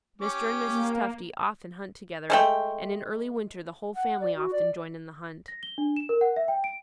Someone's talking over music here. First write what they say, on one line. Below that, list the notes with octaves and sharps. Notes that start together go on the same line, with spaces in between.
Mr. And Mrs. Tufty often hunt together, and in early winter the whole family often join in the hunt.
C#4 G4 D6
A#3
G#3 A3 G5
F#5
D5
F#4
D5
A#6
G7
D4
E7
A#4
F#5
E5
G5
D7